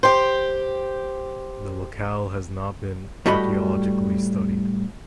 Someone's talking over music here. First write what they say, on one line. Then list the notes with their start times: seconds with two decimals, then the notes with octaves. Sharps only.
The locale has not been archaeologically studied.
0.03 G4 C5
3.26 A2 G3 F#4 D#5 B5